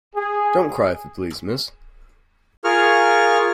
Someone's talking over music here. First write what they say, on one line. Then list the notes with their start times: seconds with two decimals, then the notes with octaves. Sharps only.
Don't cry, if you please, miss!
0.15 G#4
2.64 F4 G#4 A#4 C#6 F6